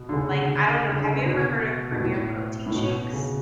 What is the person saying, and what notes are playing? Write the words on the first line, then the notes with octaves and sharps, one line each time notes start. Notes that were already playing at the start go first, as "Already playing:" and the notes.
Like, I don't know, have you ever heard of Premier Protein shakes?
Already playing: B2
D3
C#3
C#3
D3
C#3
B2
B2
A2
A2
B2
C#3